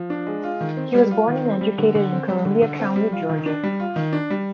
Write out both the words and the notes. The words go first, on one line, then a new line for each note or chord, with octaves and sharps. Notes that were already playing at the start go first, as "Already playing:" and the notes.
He was born and educated in Columbia County, Georgia.
Already playing: F3
D4
G#3
F4
D#3
C4
G3
F4
D#3
C4
G3
D3
D3
C4
G3
D3
D3
C4
G3
F4
D#3
D4
G3
F4
D#3
D4
G3